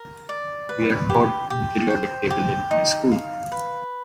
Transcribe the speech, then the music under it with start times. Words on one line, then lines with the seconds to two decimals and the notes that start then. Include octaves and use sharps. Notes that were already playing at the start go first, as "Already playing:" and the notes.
We are taught the periodic table in high school.
Already playing: A#4
0.29 D5
0.69 B4
1.10 G4
1.50 G4
1.90 C5
2.30 G4
2.71 D#4
3.12 F5
3.52 B4